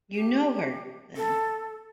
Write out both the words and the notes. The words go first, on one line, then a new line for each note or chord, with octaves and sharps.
You know her, then?
G4
A4